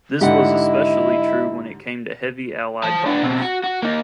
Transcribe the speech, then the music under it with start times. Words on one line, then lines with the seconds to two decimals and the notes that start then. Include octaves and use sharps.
This was especially true when it came to heavy Allied bombers.
0.21 G#2 D3 E4 G4 D#5 F#5
2.83 C5 A5
3.05 B3 D4
3.22 B2 C4
3.42 F#4
3.63 F#4
3.82 A#3 D#4